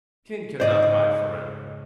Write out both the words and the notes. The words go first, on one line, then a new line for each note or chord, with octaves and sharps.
Kane can not hide forever.
G#2 C#3 C5 D5 D#5